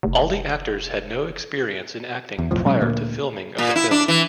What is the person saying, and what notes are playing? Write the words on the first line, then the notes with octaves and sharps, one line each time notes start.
All the actors had no experience in acting prior to filming of the film.
F1
E2
B1 F2 A2 F3
B2 F#3 G#3 C#4
D2 A#2 A#3
A#2
E4
D4
E3